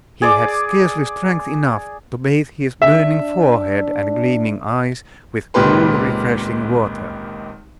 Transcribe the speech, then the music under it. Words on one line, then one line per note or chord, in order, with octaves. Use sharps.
He had scarcely strength enough to bathe his burning forehead and gleaming eyes with cool, refreshing water.
G#4 D5 D6
D4 E5
G#1 C#2 A#2 G4 B4 C6